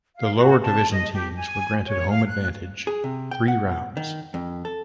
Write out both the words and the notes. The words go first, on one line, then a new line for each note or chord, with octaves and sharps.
The lower division teams were granted home advantage three rounds.
F5
F#4
A5
D#5
G4
G#5
C#5
F5
F#6
G#4
C3
G5
F#5
D#3
F2
A4